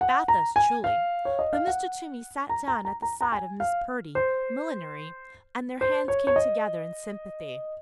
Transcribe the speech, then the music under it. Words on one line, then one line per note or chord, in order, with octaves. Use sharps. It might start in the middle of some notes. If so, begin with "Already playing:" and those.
Bathos, truly; but Mr. Toomey sat down at the side of Miss Purdy, millinery, and their hands came together in sympathy.
F#5
A#5
G#5
F5
C#5
D#5
F5
F#5
A#5
A#5
A#5
A#5
A#5
G#5
F5
C5
C5
C#5
C#5
D#5